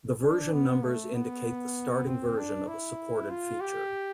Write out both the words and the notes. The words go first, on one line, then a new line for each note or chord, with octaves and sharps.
The version numbers indicate the starting version of a supported feature.
D4
B3
A3
B3
C4
D4
E4
F4
G4